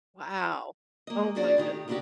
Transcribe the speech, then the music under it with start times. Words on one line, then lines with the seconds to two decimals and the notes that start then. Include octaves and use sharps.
Wow. Oh my good
1.07 A#3 D#5
1.35 C#4 D4 F#4 G#4 D5
1.57 A2 D#3 D#4 G4
1.88 D#2 C#3 D4 E4 F#4 G4